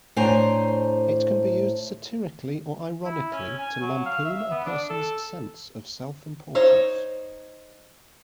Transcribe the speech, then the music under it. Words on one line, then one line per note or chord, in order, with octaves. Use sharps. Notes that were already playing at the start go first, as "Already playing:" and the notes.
It can be used satirically or ironically to lampoon a person's sense of self-importance.
A2 D4 C5 G#5 A#5
E4
C#4
G#5
F#3
F5
E5
B3
D4
A4
D#4 C5 C#5